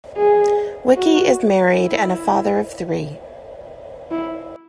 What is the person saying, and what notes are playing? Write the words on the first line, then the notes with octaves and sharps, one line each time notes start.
Wicki is married and a father of three.
G#4
F#4
E4
E4